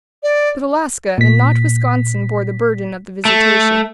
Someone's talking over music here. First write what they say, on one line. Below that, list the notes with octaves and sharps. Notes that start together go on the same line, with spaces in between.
But Alaska and not Wisconsin bore the burden of the visitation.
D5
A#2 B6
A3